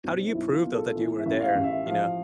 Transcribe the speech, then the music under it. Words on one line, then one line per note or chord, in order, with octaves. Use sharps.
how do you prove, though, that you were there, you know?
B1 C4
E4
B1
F4
B2
A4
E3
E5
A1
F5
A1
E5
F3 F5